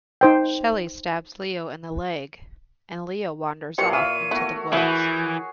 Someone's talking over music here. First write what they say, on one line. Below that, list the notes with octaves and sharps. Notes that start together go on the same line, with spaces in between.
Shelly stabs Leo in the leg, and Leo wanders off into the woods.
D#4 C5 G5
A#2 E3 G4 C5 C#5 C#7
C#5 E5 F5 D#7
A3 B3 E4 F#4
E3 E4 F#4 G#4 G6